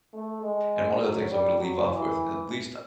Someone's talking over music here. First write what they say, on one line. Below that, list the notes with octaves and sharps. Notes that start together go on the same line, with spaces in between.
And one of the things I'm gonna leave off with, at least
A3
G#3
F#3
G3
F#3
E3